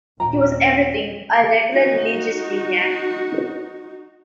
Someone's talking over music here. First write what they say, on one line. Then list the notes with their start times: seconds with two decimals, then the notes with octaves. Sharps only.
He was everything — a regular religious maniac.
0.20 D#2 A#2 C#4 G5 A#5
1.72 D#4 F#4